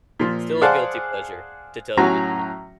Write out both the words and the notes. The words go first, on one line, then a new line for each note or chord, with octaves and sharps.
still a guilty pleasure, to tell you the truth.
A#2 F3
G#4 C5 D5 F5 F#5 A5
A2 F#3 C#4 F#4 A#5